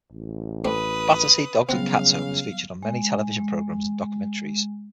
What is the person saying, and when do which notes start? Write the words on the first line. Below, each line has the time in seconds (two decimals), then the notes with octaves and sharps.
Battersea Dogs and Cats Home has featured on many television programmes and documentaries.
0.12 A1
0.65 A3 C4 D4 B4 D#6
1.69 C#3 F#3 G3 B3 C4 F5 F#5
2.83 G#3
3.37 G#3